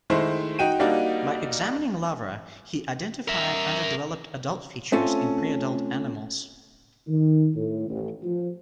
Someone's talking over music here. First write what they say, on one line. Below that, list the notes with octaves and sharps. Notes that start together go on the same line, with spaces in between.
By examining larvae, he identified underdeveloped adult features in pre-adult animals.
D#3 G#3 A3 E4 C5
D#4 F#4 G5 D#7
G3 A#3 D4 D#4 F#4
A#4 E5
A3 C4 C#4 F4 A4
D#3
A2
A1
F3